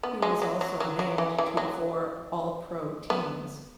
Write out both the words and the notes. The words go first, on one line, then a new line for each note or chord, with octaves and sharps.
He was also named to four All-Pro teams.
B3
G#3
F#3
F#3
F#3
F#3
E3
E3
F#3
B3